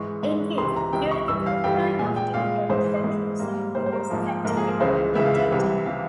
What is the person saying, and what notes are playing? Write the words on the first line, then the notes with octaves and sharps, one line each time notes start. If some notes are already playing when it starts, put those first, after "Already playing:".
Indeed, due to the doctrine of democratic centralism, he was effectively a dictator.
Already playing: G#2 E3 G#3 C#6
G#2 E3 G#3
C#2 C3 E3 C6
A#5
C#2 C3 E3 G5
C#6
G2 E3 G3 E6
F5
G2 E3 G3 G5
A#2 G#3 G#5
G5
A#2 G#3 F5
G#2 E3 G#3 C5
G#2 E3 G#3
G#2 G3 A#3
G#2 G3 A#3 C5
C5
A#4
G#2 F3 A#3
G#2 F3 A#3 A#4
G#4
A#4
C#2 C#3 E3 G#3 C5
C#2 C#3 E3 G#3 E5
F5
E5
C2 C3 E3
C3 E3 F5